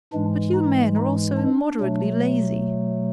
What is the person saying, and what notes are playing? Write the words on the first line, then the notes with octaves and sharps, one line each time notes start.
But you men are all so immoderately lazy!
G#2 E3 G#3 D4
D#4
D#4
D4
B2 F#3 A3